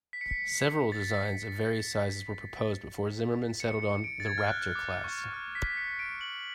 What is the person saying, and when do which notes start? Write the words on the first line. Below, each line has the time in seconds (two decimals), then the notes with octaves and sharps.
Several designs of various sizes were proposed before Zimmerman settled on the "Raptor"-class.
0.13 B6
0.21 C#7
0.28 B6
0.92 A6
1.00 B6
3.60 C#7
3.82 C#7
4.04 D7
4.20 A6
4.25 G#6
4.38 F6
4.47 F#6
4.75 D6
5.04 C#6
5.34 F6
5.55 B6
5.77 C#7
5.99 D7
6.21 F#7